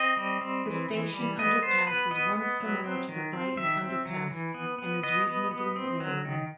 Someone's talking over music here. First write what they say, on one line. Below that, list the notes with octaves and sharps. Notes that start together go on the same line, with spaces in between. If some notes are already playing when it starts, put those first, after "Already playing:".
The station underpass is one similar to the Brighton underpass and is reasonably narrow.
Already playing: C4 D#5
G3
C4
E3
E3
G3
B3 D#5
B3 C5
B3 B4
B3 D#5
B3
F#3
C4
D#3
C4
D#3 E5
C4
F#3
E3
B3
B3
B3 D#5
B3
B3
C4
F#3
D#3